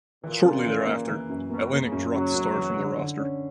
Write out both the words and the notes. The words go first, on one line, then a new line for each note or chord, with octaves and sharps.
Shortly thereafter, Atlantic dropped Starr from their roster.
A#2 E3
C#3
E3
A#3
E3
F#2
B2 A#3
A#3
C#3
F#2
C#3 F#3
F#2
E3
D3
D3
C#4